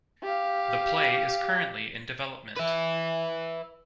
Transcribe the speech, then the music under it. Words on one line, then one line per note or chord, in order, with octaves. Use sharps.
The play is currently in development.
G4 F5
B4 E5